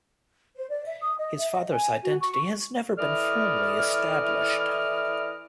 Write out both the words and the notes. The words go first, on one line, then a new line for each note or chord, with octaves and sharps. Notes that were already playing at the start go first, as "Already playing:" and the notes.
His father's identity has never been firmly established.
C5
D5
E5
D#6
D#5
E5
D#5
G#5
F#4
C#6
E3 E4 A4 D5 D#5 F6